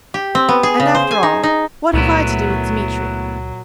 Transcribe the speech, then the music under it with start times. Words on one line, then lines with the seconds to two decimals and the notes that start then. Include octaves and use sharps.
And after all, what have I to do with Dmitri?
0.14 G4
0.35 C4
0.49 B3
0.63 G#4
0.80 C#3
0.95 C5
1.11 G#5
1.23 D#4
1.43 D#4
1.93 C#2 A#2 F#3 A3 B3 E4 A#6